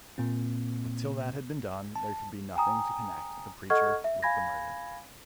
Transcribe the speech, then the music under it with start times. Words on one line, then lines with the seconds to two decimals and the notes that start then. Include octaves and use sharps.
But till that had been done, there could be nothing to connect the preacher with the murder.
0.18 A#2 A#3 C4
1.96 A5
2.56 G5 G#5 A#5 D#6
3.70 A4 D#5 F#5 C#6 F6 G#6
4.04 E5
4.23 F5 G#5 B5 G#6 A#6